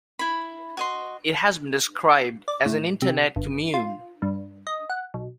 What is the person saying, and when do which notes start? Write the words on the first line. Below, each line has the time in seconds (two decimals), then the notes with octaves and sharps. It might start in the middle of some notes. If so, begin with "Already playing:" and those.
It has been described as an internet commune.
0.19 E4 B5
0.77 F#4 D#5 C6
2.48 D5
2.66 A2
3.02 C3
3.36 G1
3.74 F4
4.22 G2
4.67 D#5
4.90 F#5
5.14 B1